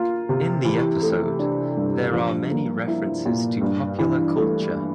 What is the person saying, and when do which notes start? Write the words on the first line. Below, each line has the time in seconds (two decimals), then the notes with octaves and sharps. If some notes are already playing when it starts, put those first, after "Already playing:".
In the episode, there are many references to popular culture.
Already playing: A#3 F4
0.29 C3
0.65 E3
1.02 A3
1.39 D4
1.77 G2
2.13 F3
2.51 A#3
2.88 E4
3.26 A#2
3.62 G2
3.99 E3
4.36 A3